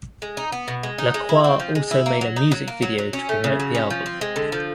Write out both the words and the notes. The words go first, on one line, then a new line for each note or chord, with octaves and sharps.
LaCroix also made a music video to promote the album.
G#3
D#4
B3
B2
G#3
D#4
G#3
E4
C4
F3
G#3
E4
A#3
F#3
D#4
F#3
A#3
F#3
F#3
C#4
A3
C#3
F#3
C#4
F3
C4
G#3
D3
F3